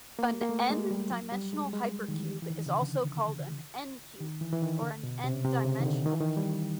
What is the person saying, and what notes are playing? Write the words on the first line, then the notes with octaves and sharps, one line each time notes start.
An "n"-dimensional hypercube is also called an n"-cube or an n"-dimensional cube.
A#3
A#3
A3
G#3
G3
F#3
G3
G#3
G#3
D#3
E3
E3
D#3
C#3
D3
D#3
E3
E3
D#3
D3
B2
C3
C3
C#3
D#3
D3
D#3
E3
D#3
G3